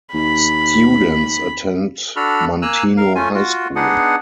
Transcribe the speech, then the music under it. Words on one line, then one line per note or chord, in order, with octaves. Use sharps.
Students attend Manteno High School.
D#2 B5
D4 F#4 A4 B5 F6
A#3 G#5 A#5 E6 F#6
A#4 F5
A3 C#4 F4 G#5
F4 F#4
B3 D4 D#4 G#4 D#5 F#5